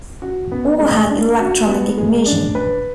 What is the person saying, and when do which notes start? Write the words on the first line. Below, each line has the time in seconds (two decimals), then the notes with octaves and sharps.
All had electronic ignition.
0.22 F#4
0.52 B3
0.80 G#3
1.09 D4
1.39 F#4
1.68 B3
1.98 G#3
2.26 D4
2.55 B4